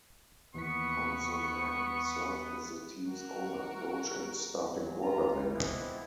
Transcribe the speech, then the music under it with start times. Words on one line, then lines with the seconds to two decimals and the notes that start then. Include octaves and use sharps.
Conzelman served as the team's owner, coach, and starting quarterback.
0.54 D#2 E3 B3 C#6 B6
3.07 F#4 A#4
4.71 F#3
5.02 F4 A#5
5.37 G3
5.53 E3 F3 G#3 B3 C4 E4